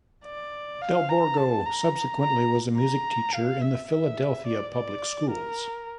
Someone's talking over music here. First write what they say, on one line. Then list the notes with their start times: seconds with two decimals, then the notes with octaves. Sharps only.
Del Borgo subsequently was a music teacher in the Philadelphia public schools.
0.25 D5
0.81 F5
1.09 A#5
1.37 A5
1.66 A#5
2.21 A#5
2.78 A#5
3.34 F5
3.62 E5
3.90 E5
4.46 D5
4.74 D5
5.31 A#4